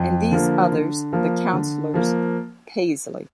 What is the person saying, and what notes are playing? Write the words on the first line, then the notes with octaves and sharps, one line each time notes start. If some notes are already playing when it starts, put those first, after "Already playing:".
And these others — the Councillors, Paisley.
Already playing: F2
D3 F3 A#3
D3
F3 A#3
D3
F3 A#3